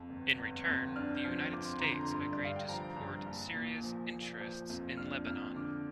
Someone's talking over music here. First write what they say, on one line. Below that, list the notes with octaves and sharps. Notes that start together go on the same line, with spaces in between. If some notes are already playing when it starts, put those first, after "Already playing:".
In return, the United States agreed to support Syria's interests in Lebanon.
Already playing: F2
G1
G1
F2
D4 F6
G6
F3 F6
F2 D6
C6
D3 A#5
C6
G2
D5
G2
F5
G5
F3 A#5
G2
A#1
A#2
F3
A#2
F3 G6
F2
D4 F6
F2 F6
D3 D6